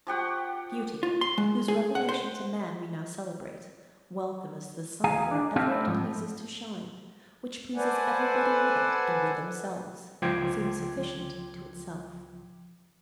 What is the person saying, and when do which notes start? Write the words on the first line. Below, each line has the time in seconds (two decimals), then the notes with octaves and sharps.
Beauty, whose revelation to man we now celebrate, welcome as the sun wherever it pleases to shine, which pleases everybody with it and with themselves, seems sufficient to itself.
0.07 F3 G4 F#5 C#6
1.03 F4
1.21 C6
1.38 G#3
1.68 G#4
1.95 F#5
2.09 C5
5.04 D#2 G#4 F5 G#5 A#5
5.31 D4
5.56 C4 D#4 G4 A4 C5 F5
5.71 A3 C4 D4 E4
5.87 G#2 F3
7.76 A4 B4 C5 D5 F#5 G#5
10.22 C#2 F3 G5 C6 D6 G#6